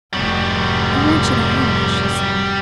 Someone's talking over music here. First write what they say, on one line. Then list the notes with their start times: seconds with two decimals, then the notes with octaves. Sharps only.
"I want you to have this," she sobbed.
0.13 F1 G#2 G3 F#4